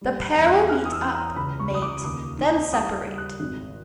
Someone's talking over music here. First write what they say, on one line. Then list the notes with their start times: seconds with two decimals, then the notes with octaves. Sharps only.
The pair will meet up, mate, then separate.
0.01 G3
0.36 E2
0.46 F#6
0.69 E3 F6
0.85 D#6
0.92 E6
1.03 C#4
1.15 A#5
1.36 C#2 B5
1.60 C#6
1.71 C#2 D#6
1.82 D6
2.04 D#2 D#6
2.38 D#3
2.72 G3 D#6
3.06 G3
3.18 F#6
3.40 G#1